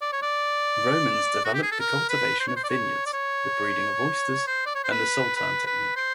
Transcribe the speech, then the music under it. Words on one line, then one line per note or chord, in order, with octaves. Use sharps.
Romans developed the cultivation of vineyards, the breeding of oysters and the saltern technique.
D5
C#5
D5
F#4
G4
G#4
A4
A#4
B4
C5
C#5
C5
D5
C#5
D5
C#5
C5
D5
C#5
C5
B4
B4
B4
C5